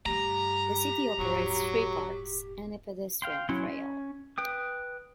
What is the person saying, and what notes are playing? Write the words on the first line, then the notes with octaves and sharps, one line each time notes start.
The city operates three parks and a pedestrian trail.
G2 A3 G4 A#5
D#1 G#2 F#3
F5 G5 C6
F#3 C#4 E4 C6
C#4
B4 G5 D#6